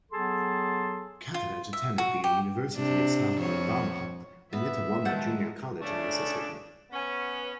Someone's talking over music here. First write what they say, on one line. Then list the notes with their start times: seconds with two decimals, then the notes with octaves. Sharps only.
Catledge attended the University of South Alabama and Itawamba Junior College in Mississippi.
0.12 F#3 B3 G#4 A4 A5 C6
1.34 F4
1.73 E5
1.98 F#4
2.24 G4
2.76 C3 D4
3.37 F2 C#5
4.53 B3 E5
5.05 D#3 F#3 G#3 F#5 A5 G6
5.82 C#3 A3 D4
6.91 B3 C#4